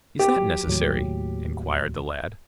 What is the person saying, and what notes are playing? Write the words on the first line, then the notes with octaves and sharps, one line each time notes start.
"Is that necessary?" inquired the lad.
G4
F#3
D#2 A2 F#3